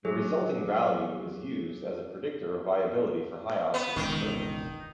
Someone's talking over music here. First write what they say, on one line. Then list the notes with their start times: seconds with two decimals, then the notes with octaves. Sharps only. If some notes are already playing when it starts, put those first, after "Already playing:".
The resulting value is used as a predictor of viability for high-oxygen service.
0.05 F#3 G#4
3.74 B3
3.96 E1 C#2 F#2 D#3